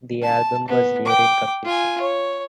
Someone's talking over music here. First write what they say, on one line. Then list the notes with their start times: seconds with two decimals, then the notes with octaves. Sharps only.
The album was nearing completion.
0.22 A5
0.68 B3
1.05 G5 D6
1.65 F4 G#5
2.01 C#5